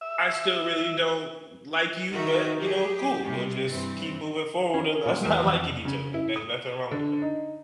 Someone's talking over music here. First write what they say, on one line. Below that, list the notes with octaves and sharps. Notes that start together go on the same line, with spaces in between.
I still really don't like you, but, you know, cool, we'll just keep moving forward with us not liking each other, and there's nothing wrong with that."
E5
D#3 F#4 E5
F#3 G4 G#4
C3 G3
G2 E3 C4
C#4
A#2
E2
F2
C#3
E4
D#6
D3
D#4